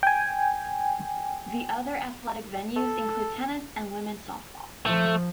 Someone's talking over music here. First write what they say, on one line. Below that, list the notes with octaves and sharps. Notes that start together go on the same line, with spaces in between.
The other athletic venues include tennis and women's softball.
G5 G#5
A4
F3 A3